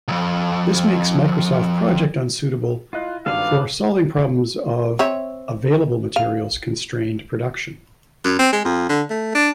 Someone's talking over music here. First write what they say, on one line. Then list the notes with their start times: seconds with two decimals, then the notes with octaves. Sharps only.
This makes Microsoft Project unsuitable for solving problems of available materials constrained production.
0.08 C2 F2
2.93 E4 F4 D#5 F#6
3.26 G#1 G2 A4 B4 F5 D6
4.99 C4 C#5 E5
6.16 F5
8.24 F#2
8.39 C4
8.53 G#3
8.65 F2
8.89 D3
9.10 A3
9.35 D4